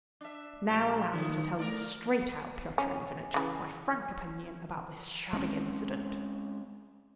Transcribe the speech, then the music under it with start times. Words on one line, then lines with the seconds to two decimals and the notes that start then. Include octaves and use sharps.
Now allow me to tell you straight out, Pyotr Ivanitch, my frank opinion about this shabby incident.
0.21 D4 E5
0.68 A#1 G4
1.12 D#3 F#3 B3
1.59 A3 A#4 D5
2.78 C#4
3.34 C#3 E3
5.33 G#3 C4 C#4